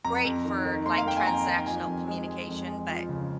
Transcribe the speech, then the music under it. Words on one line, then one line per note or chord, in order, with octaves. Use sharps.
great for, like, transactional communication, but,
F2 A#5
F2
D#3
D#3
A#3 C6
F5
A#3 G5
G#5
F2 A#5
D#3
F3 G#5
F2
G#3
G#3
F2
G#3
F3
C#3